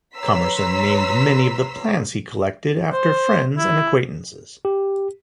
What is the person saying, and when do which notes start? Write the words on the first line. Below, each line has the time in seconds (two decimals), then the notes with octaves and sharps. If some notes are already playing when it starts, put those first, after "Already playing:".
Commerson named many of the plants he collected after friends and acquaintances.
0.16 B4 C#5 A#5 C6 E6 B6
2.92 C5
3.58 E4
4.65 G4